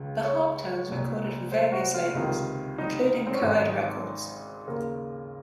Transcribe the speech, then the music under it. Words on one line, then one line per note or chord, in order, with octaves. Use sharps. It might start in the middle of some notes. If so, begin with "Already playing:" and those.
The Harptones recorded for various labels, including Coed Records.
Already playing: C#2 C#3
C#5
C2 A#2
C5
F#4
F4
C#2 C3 D#3
D#4
C4
C#4
G#1 G#2 D#3 D#4
D#2 C#3 A#4